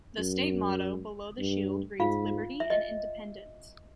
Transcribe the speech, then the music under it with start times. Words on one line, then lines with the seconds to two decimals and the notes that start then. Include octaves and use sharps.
The state motto, below the shield, reads "Liberty and Independence".
0.18 F#2
1.39 G2
2.00 G#2 F4 F5
2.60 E5
2.70 D#5